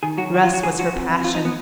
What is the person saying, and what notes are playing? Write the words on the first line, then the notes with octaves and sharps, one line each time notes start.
Dress was her passion.
D#3 G#4
F#3 F#4
F#2 F#4
F4
F#2 F#4
D3 G#4
F3 F#4
F2
F2
F3 F4
D#4
B3